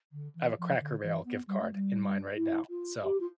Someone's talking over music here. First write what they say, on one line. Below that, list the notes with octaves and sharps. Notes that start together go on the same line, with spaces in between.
I have a Cracker Barrel gift card in mine right now, so
D3
E3
F3
D3
E3
B3
G3
A3
G3
E4
F4
G4
F4